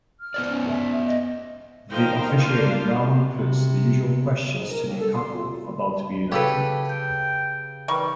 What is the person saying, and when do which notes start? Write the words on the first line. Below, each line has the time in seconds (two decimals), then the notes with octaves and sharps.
The officiating Brahman puts the usual questions to the couple about to be united.
0.20 F6
0.34 B3 C5 D5
0.50 C#4
0.68 E5
1.06 D#5
1.90 F3 D#4 A#4 C5 F5 G5
2.37 A#3 D4 F4 C5 F5
3.32 C3
4.53 G#2
4.69 A#4
4.88 D#2
5.00 A4
5.13 C6
6.32 C#3 G4 A4 B4 C#5 F#5
6.89 G5
7.88 D#3 E3 G3 C#6